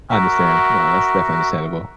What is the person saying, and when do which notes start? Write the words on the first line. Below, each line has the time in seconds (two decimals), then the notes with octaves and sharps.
I understand. No, that's definitely understandable.
0.10 F#4 A#4 E5